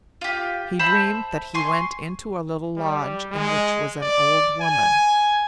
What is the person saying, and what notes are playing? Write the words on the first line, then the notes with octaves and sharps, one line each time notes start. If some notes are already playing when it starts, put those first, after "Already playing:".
He dreamed that he went into a little lodge in which was an old woman.
F4 G4
C5 E5 A5 B5
G#5 C6 C#6
G3
G#3
D5
G#5